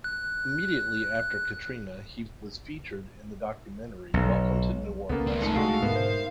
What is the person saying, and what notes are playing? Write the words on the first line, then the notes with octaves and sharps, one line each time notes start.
Immediately after Katrina, he was featured in the documentary "Welcome to New Orleans".
F#6
B1
C#2 A#3 B3 C#4 A4
G#3 C4 D5
A#1 A3 D#4 G#4 C5 A5
C2 G#3 F#4 A4 F5
G#2 B2 D3 B3 D#4 A#4 E5
C5